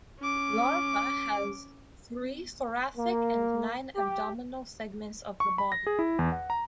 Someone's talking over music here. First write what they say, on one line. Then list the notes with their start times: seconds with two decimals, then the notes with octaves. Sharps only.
Larva has three thoracic and nine abdominal segments of the body.
0.20 C#4 D6
2.97 A#3
3.96 G4
5.40 C#6
5.58 B5
5.72 A#6
5.87 G#4
5.99 E4
6.19 E2
6.32 F#5
6.50 A#5